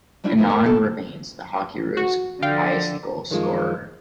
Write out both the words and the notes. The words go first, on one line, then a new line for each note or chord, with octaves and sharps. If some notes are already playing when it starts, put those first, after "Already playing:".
Annan remains the Hockeyroos highest goal scorer.
F#3 G3 D4 E4 F4
F3 F#3 A#3 B3 E4
A#4 E5
D4 A4
F#4
D3 F3 F5 G5
F#2 D#3 F3 G#3 F4